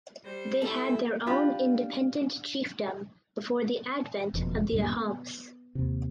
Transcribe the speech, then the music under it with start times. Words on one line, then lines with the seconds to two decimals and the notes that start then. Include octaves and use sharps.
They had their own independent chiefdom before the advent of the Ahoms.
0.24 G3 C5
0.62 E4 A4 E5
1.27 D4 F4 G4 B5
4.34 F#1 F2 B2
4.72 D2 G2 A#2 G3
4.89 B3
5.75 D#2 C3